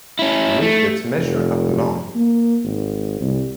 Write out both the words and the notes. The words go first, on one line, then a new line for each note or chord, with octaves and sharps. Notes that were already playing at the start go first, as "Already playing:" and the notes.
Leaflets measure up long.
C#4 E4
A3
F1
A#3
G#1
C2